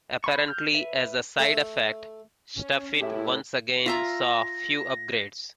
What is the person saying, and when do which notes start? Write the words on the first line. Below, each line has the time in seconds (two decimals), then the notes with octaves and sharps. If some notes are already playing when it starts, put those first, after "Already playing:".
Apparently as a side-effect, StuffIt once again saw few upgrades.
0.24 B5 C#6
0.48 F6 G6
0.75 B4 E5
1.39 A3
2.53 C#4
3.00 A2 E4 G4 G#4 E5
3.86 F4 E5 A#5 A#6